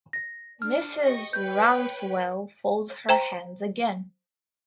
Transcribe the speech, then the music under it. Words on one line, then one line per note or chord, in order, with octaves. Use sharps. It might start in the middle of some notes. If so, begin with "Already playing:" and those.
Mrs. Rouncewell folds her hands again.
A#6
D4 F6
G4 D#5 C#6
B4 C#5 G5 G6
C5 G5 A#5